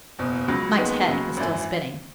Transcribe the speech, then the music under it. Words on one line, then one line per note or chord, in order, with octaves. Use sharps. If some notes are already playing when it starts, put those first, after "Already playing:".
Mike's head was still spinning.
F#1 E2 B2
C#2 C#3 F#3
D#2 D#3 G#3 B3
D#2 C#3 F#3
G#1 F#2 E3